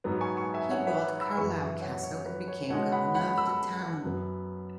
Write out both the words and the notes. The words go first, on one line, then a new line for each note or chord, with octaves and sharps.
He bought Carlisle Castle and became governor of the town.
G#2 F#3 B3
G#5 C#6
G#5 C#6
E5 G#5
C#5 F#5
B4 E5
B5 E6
F#2 E3 B3 G#5 C#6
E5 G#5
C#5 F#5
C#5
B4
C#5
B2 G#3 C#4 C#5 F#5
F#5 B5
F#5 B5
B5 E6
F#2 F#3 B3